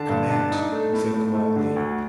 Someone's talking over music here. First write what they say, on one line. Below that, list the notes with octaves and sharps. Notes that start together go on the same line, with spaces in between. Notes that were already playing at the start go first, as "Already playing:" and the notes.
"Come out," he said quietly.
Already playing: D3 A5
G2
D4
D#4
A3
A2
A2
A3
D3
D2